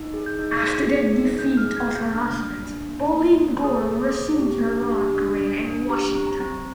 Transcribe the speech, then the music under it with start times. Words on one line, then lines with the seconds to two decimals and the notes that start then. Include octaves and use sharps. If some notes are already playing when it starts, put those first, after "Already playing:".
After the defeat of her husband, Pauline Gore resumed her law career in Washington.
Already playing: D#4
0.14 G#4
0.26 G6
0.39 D#4
0.63 G#4 G#6
0.88 G#4
1.13 D#4
1.39 A#3 G6
1.57 F6
1.64 G#4
1.76 G#6
1.89 A#3
1.95 G6
2.14 D4 F6
2.38 A#3
2.64 D4
2.89 A#3
3.14 A#3
3.39 A#3
3.64 G#4 D#6
3.89 A#3
4.01 D6
4.15 A#3
4.40 G4
4.64 D4
4.89 G4
5.15 D4
5.39 D4
5.64 D4
5.90 G4 A#5
6.15 C4
6.27 A#5
6.40 C4